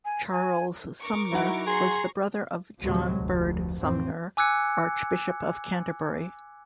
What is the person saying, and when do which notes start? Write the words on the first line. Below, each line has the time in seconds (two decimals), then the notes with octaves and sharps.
Charles Sumner was a brother of John Bird Sumner, Archbishop of Canterbury.
0.05 G#5
0.32 G#5
1.00 A#4 C#6 D6
1.31 F#3 D#4 E4 F#5
1.67 G#4 A#5 C6 C#6 C7
2.80 D2 A2 C3 F#3 G#3
3.18 F1 D2
3.80 A1 F2 C4
4.37 G#5 D6 E6 F#6 G#6 C#7